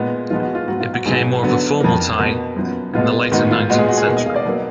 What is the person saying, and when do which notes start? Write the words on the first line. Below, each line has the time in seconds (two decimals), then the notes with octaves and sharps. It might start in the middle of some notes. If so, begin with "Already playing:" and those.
It became more of a formal tie in the later nineteenth century.
Already playing: A#2 G#3 B3
0.30 A#2 F3 G#3 B3 F4
0.43 F#4
0.55 F4
0.67 G#2 F#3 B3 F#4
0.80 F4
0.94 F#4
1.06 G#2 F#3 B3 G#4
1.43 D3 F#3 B3
1.81 F2 F3 A#3
2.19 B2 A#3 F#4
2.56 F#2 F3 B3
2.94 B2 G#3 B3 F4
3.32 G#2 D#3 G#3 B3 F#4
3.51 F4
3.69 A#2 G#3 B3 F#4
3.79 G#4
3.89 F#4
3.97 G#4
4.07 B2 A#3
4.17 D#5
4.26 F5
4.36 D5
4.45 B2 F#3 A#3